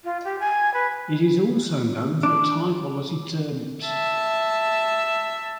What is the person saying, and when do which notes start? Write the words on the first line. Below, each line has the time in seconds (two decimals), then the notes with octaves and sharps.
It is also known for its high quality turnips.
0.04 F4
0.25 G4
0.39 G#5
0.74 B4
2.23 D4
3.84 E5 A5